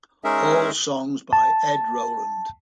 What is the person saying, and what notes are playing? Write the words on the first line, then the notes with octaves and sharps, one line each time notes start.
All songs by Ed Roland.
G#3 C#4 D#4 G#4 A#4 E5
A5